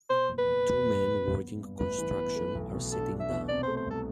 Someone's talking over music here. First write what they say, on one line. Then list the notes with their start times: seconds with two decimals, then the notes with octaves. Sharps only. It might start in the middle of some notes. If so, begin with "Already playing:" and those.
Two men working construction are sitting down.
0.10 B2 C5
0.29 F#1
0.39 B4
0.47 F#1
0.66 E2
0.85 F#1
1.04 F#1
1.23 B3
1.42 B3
1.61 G2
1.79 A1 B4
1.98 E3
2.16 B3
2.35 A3
2.55 B1
2.74 B2
2.92 D4 A4
3.11 D4
3.20 E5
3.30 B2
3.48 C3 D5
3.63 A3 C5
3.77 C5
3.86 C2 A4